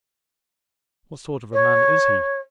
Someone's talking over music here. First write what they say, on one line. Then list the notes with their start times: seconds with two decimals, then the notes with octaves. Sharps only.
"What sort of a man is he?"
1.53 C#5